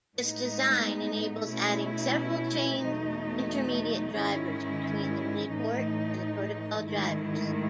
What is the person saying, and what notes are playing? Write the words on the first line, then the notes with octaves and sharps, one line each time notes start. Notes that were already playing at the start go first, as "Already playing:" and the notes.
This design enables adding several chained intermediate drivers between the miniport and protocol drivers.
A2 G#3 B3 D#4
B2 A3 C#4 E4
E2 B2 F#3 A3 D#4
G#2 D#3 G#3 C#4 E4
A2 E3 A3 D#4
G#2 D#3 A3 E4